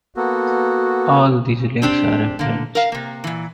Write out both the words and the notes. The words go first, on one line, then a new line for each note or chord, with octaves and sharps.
All these links are in French.
A#3 B3 F#4 A4
C4 D4 G4
D3 A#3
A#4 F5
C3 A#3
A#2 E3